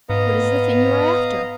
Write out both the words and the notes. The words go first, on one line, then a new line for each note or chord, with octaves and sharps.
What is the thing you are after?
G#2 B3 D#5 F5 A#5